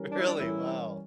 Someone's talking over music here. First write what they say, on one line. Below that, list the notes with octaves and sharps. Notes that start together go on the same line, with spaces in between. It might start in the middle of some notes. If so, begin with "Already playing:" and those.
Really? Wow.
Already playing: E3 G3 C#4 G4 A#4
D4
E4
D4
E3 G3 C#4 E4 G4 A#4